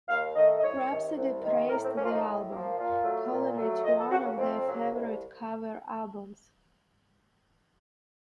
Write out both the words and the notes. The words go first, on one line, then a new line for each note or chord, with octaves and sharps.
Rhapsody praised the album, calling it one of their favorite cover albums.
D#2 F5
D#3 A3 D#5
D#5
C2 C#5
C3 D#3
C2
C3 D#3
A2 A#4
C4
F3 A#3 C#4
F4
D#4
A2
F3 A#3
A#2 F4
F#3 A3
A#2
F#3 A3
F2 D#5
A4
C#3 F#3 A#3 F#4
C#4
F2 C4
C#3 F#3 A#3
C2